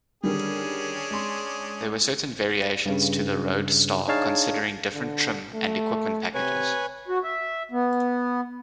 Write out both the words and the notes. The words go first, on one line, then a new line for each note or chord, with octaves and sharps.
There were certain variations to the Road Star considering different trim and equipment packages.
D3 D#3 G3 C#4 D4 G#4
G#3 C6
G2 C#3
D4 D#4 G#4 C#5 F5 A5
D3
A3
C3 B4 C#5 G#5
F#4
E5
B3